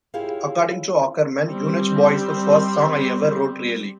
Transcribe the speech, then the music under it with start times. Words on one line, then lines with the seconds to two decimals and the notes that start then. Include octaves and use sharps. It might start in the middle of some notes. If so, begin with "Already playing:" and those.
According to Aukerman: Eunuch Boy' is the first song I ever wrote, really.
0.14 E4 F4 G4 G#4 C#5 F5
1.43 G3 C4